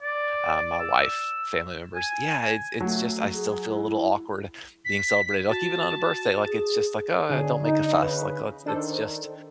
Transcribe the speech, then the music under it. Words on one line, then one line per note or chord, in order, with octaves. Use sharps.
uh, my wife, family members. Yeah, it's it's just I still feel a little awkward being celebrated, like, even on a birthday, like, it's just, like, oh, don't make a fuss, like, let's, it's just,
D5
E6
G#5
F#3 A3
G#4
E4
B6
F#4 A5
G#4
B2 D3 F#3 D4 G#4
D#4
C#3 B4
D#3 D4 A4 C5